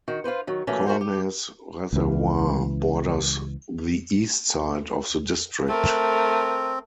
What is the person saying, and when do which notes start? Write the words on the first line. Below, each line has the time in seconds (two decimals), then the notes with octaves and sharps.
Kaunas Reservoir borders the east side of the district.
0.08 D#3 F#4 G5
0.24 F4 G4 B4 C5
0.47 D#3 F#3
0.67 E3 F#3 A3 A#3 C#4
0.87 A3 F#4 A#4 C5
1.01 G4
1.93 C#2 E3
5.68 A3 C4 A#4